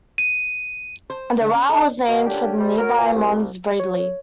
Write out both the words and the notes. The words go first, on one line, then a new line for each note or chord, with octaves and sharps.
The rille was named for the nearby Mons Bradley.
D#7
C5
D3
C#4
A4
B2
D3 A#3 C#4 D4 G4
C3 G3
F#3 A#4
A#2 E3 A#3 B3 G#5
C2
C#5